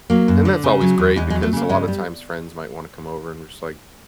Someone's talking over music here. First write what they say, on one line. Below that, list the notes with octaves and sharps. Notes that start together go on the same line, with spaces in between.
and that's always great because a lotta times friends might wanna come over and we're, just, like,
F#3 A#3
F#2
D3
C#3
F#3
E2
E2 G#3
G#3
F#3
A3
C#3 A#3
G2 G#3
G3